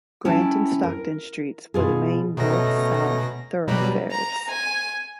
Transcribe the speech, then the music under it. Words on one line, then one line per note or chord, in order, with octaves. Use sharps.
Grant and Stockton streets were the main north-south thoroughfares.
C#4 E4 G5 A5
A#4
B2 F4 G#4
B2 A3 C#4 D#4 A#6
B2 F#3 G3 A#5 B5
A#5
G#5